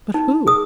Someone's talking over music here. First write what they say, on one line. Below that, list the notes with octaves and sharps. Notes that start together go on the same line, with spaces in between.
"But who?"
D#4
G#4 D#6